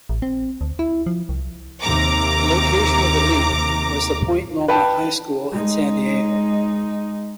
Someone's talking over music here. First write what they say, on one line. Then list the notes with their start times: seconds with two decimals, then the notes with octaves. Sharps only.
The location of the "leap" was the Point Loma High School in San Diego.
0.09 A1
0.22 C4
0.61 D2
0.79 E4
1.06 F3
1.29 C2
1.82 D#2 C3 A#5 D6
4.68 B4 G5 A5
5.51 G#3 D#4